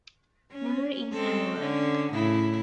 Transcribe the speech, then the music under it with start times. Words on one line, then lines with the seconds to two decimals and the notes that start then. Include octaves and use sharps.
Memory is amoral.
0.52 C#4
1.12 G#3 C4 A4
1.60 D3 C#4
2.13 A2 C#3 E4